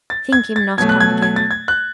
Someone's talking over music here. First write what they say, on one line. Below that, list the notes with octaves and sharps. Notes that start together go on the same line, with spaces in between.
Think him not come again.
A6
G#6
A6
B2 F#3 A3 G#6
F#6
G#6
G#6
A6
G#6
F#6